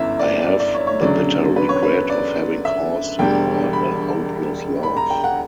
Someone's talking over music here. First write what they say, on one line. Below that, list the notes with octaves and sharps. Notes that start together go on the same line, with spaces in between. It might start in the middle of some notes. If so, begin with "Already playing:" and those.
I have the bitter regret of having caused in her a hopeless love.
Already playing: G1 F#2 E3 E5
D5
D5
D5
C#5
C#5
E1 D2 C#3 F#3 D5
B4
C#5
B4
D5
E5
E1 E2 D3 G3 G5
B5
B5
A#5
G5
F#5